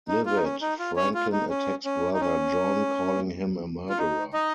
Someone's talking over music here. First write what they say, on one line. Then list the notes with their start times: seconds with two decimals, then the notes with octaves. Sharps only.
Livid, Franklin attacks Brother John, calling him a murderer.
0.08 D#4
0.26 F4
0.36 D#4
0.43 C#4
0.61 D#4
0.79 F4
0.96 C#4 C#5
1.14 F4
1.32 D#4
1.50 C#4
1.85 C#4
2.14 D#4
2.21 C#4
3.89 F4
3.99 D#4
4.33 D#4 D#5